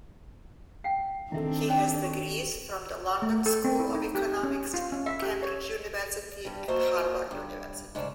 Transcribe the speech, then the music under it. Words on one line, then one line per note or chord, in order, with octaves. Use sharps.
He has degrees from the London School of Economics, Cambridge University and Harvard University.
F5 G5 C7
D#3 C4 D4 E4 A4 E5
C#5 D5 G5
C#6
A3
A4
C4
E4
D#4
G4
C#4
F4
C#4
E5
G4
C#5
G2 G3
A#3 F#4 A4 C5 D#5
G2
G#2 C#3 D5 A5